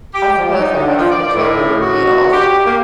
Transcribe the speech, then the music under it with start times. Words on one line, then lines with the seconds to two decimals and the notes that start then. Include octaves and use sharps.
I suppose if I switch over to Reels,
0.13 G4
0.37 F3
0.59 D#4
0.74 D3
0.98 F3
1.11 D5
1.34 A2
1.82 F#4
2.33 G4
2.66 A#3